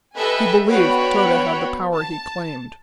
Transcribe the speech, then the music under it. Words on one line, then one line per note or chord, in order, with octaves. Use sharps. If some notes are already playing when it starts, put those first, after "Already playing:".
He believed Tode had the power he claimed.
G4 A4 B4 D#5 E5 G#5
B3 D4 F#4 C#5 G5 B5
A5